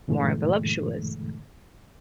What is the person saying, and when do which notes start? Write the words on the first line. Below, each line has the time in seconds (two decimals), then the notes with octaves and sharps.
more voluptuous,
0.08 G2 A#2 D3 E3 G#3 A3